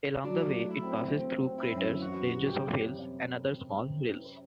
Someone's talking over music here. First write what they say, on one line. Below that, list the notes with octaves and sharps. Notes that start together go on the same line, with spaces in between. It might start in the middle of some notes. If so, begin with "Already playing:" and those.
Along the way it passes through craters, ranges of hills, and other small rilles.
F#3 D4
A3
E4
C4
C4
C4
E4
F#2
E3 F#4
G3
G4
G3
C3